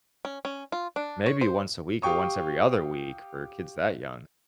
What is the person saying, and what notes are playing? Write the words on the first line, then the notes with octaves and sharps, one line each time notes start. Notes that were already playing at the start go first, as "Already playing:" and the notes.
Maybe once a week or once every other week for kids that young.
C#4
C#4
F4
D4
C#5
C5
G4 F5 G5 C#6 D#6